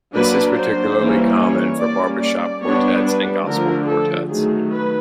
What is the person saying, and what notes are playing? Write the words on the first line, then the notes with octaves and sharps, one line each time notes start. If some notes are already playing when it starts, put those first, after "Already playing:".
This is particularly common for barbershop quartets and Gospel quartets.
F#3 A#3 D4 B4
C5
E3 G3 A#3 C#4
C#5
G3 A#3 C#4 D5
D5
G3 B3 D4 C#5
B4
D3 F3 A3 A#4
A4
D#3 F#3 A3 G#4
B4